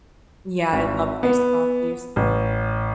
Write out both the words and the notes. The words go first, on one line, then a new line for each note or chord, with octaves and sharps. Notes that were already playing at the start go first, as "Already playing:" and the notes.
Yeah, I love iced coffees.
G#1
B3
A1